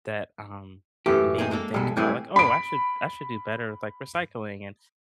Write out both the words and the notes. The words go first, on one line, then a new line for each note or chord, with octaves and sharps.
that, um, made me think about, like, "Oh, I should I should do better with, like, recycling, and
F#2 E3 A3 G4
C4 D#4 G#4
G#3 A#3 A4
B1 G3 G#3 A4
A2 E3 G3 C4 G4 G#4
B5 D7